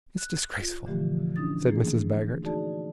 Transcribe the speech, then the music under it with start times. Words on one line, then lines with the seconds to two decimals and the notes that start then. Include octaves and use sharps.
"It's disgraceful," said Mrs. Baggert.
0.18 F#6
0.60 F4
0.86 A#2 D3 E3 F3 A3 G4
1.36 C#4 D4 E4 D#6 A6
1.68 E3 A3 A#3 E4 G#4
2.43 A3 D#4 F#4 G#4 D5 A5